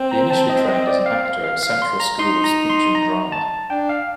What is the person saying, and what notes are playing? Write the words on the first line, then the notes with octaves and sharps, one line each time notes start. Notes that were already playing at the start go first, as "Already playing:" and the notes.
He initially trained as an actor at Central School of Speech and Drama.
Already playing: C4
A#5
A5
D#5
D#5
D5
F5
F5
F5
F5
C6
A#5
D#4 C6
A#5
C6
A#5
A5
D4 G5
F5